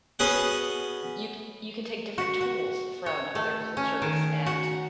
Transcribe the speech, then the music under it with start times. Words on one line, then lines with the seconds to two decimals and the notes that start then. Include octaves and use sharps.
you c you can take different tools from other cultures, and
0.19 B2 C#4 G#4 F#5
2.18 F#4
2.41 F#4
3.06 C#5
3.35 A3
3.77 C#4
4.02 D#3
4.46 F#4